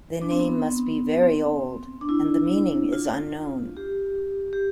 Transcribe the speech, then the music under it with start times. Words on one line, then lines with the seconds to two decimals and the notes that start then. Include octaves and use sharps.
The name must be very old and the meaning is unknown.
0.22 D4
0.31 C4
0.40 B3
1.23 C4
2.01 D4
2.09 E4
2.93 F4
3.77 G4
4.53 G4